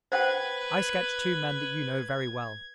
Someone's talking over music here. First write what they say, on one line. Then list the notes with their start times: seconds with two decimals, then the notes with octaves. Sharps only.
I sketch two men that you know very well.
0.12 B4 C5 F#5 G5 G#6